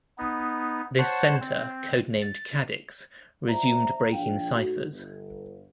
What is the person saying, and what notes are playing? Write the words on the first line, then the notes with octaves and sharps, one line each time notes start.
This center, codenamed "Cadix", resumed breaking ciphers.
B3 D#4
C5 C#5 F#5 A5
C4
A6
C5 D5 E5 A#5
A#1 F3 D4 F5 G5
A2 D#4 F#4
G1